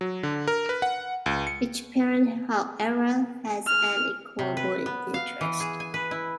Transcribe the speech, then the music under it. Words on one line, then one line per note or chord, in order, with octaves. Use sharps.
Each parent, however, has an equal voting interest.
F#3
D3
A#4
B4
F#5
C#2
C#7
F6
C3
B4
B3
F5
E3
G#4
G#5
B4
E4